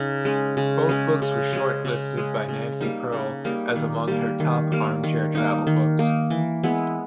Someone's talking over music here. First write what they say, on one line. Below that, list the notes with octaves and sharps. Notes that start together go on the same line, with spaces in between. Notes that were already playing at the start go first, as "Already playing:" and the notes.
Both books were shortlisted by Nancy Pearl as among her top armchair travel books.
Already playing: C#3 D#4
G#3 C#4 G#4
C#3
G#3 C#4 G#4
C#3
G#3 C#4 G#4
C#3
G#3 C#4 G#4
C#3
G3 A#3 D#4
C#3
G3 A#3 D#4
D#3
G3 A#3
D#3
G3 A#3
D#3
A#3 D#4
D#3
A#3 D#4
E3
G#3 B3 E4